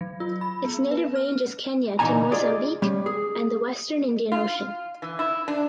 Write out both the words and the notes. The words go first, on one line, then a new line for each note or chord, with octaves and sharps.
Its native range is Kenya to Mozambique and the Western Indian Ocean.
F#3
F4
B5
B3
B4
F6
A#2 D3 E3 D#4 G#5 A#5
F4 G#4 D5 D#5
G3 C#4
G#4
F4
E3
E4
D4